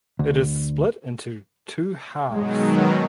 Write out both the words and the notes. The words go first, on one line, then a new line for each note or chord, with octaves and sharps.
It is split into two halves.
D2
B2 D#3 F#3 G#3